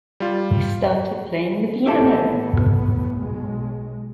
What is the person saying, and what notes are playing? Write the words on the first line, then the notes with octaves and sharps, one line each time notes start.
I started playing the piano.
G3 F4
A2 B3 E4 G4 A4
B1 G#3